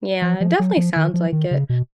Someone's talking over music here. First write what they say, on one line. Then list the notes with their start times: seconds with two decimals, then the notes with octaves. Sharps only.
Yeah, it definitely sounds like it,
0.22 F3
0.41 F3
0.59 F#3
0.77 F3
0.96 D#3
1.14 F3
1.32 D#3
1.51 C#3
1.69 B2